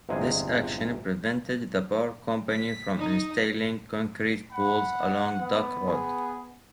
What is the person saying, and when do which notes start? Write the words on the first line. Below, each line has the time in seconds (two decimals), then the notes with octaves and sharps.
This action prevented the power company from installing concrete poles along Duck Road.
0.09 G1 E2 C3 G#3 G#4 G#5
2.51 B6
2.97 D#4
4.52 F#5 B5
5.39 B3
5.88 G#4